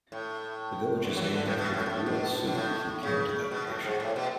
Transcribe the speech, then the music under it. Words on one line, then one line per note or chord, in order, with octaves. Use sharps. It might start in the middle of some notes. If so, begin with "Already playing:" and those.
The village is named after the Brule Sioux, who camped at that location.
A2
D3
E3
F#3
E3
D3
A2
B2
A2
B2
A2
B2
B2
A2
C#3
B2
A2
G#2
A2
B2